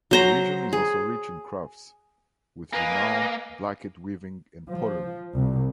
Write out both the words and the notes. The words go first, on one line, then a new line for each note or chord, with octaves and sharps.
The region is also rich in crafts, with renowned blanket-weaving and pottery.
F#3 C5 A#5
G#4
A#3 B4 D#5 G#5
F3
C2